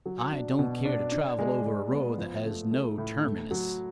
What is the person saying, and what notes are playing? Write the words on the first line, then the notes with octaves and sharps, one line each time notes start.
I don't care to travel over a road that has no terminus.
F#3
D4
B2
D4
D4
G#3
G#3
B3
F3
A3
A3
A2
A3
F#3